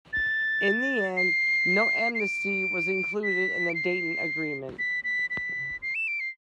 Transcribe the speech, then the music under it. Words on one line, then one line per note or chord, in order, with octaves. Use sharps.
In the end, no amnesty was included in the Dayton Agreement.
A6
C7
C7
D7
B6
D7
C7
B6
B6
B6
C7
E7
D7
C7